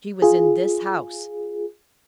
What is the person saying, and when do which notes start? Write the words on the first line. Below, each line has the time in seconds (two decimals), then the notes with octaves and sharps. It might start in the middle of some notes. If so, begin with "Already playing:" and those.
She was in this house.
0.22 F4 G#4